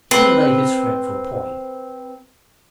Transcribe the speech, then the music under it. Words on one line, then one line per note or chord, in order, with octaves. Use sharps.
Here lay his fretful point.
C4 B4